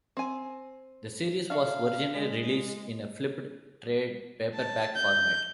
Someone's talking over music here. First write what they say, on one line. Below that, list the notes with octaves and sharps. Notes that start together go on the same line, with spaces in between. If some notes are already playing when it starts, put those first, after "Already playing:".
The series was originally released in a flipped trade paperback format.
C4 G#5
D4 F#4 E5 F5
G#3
A5
G6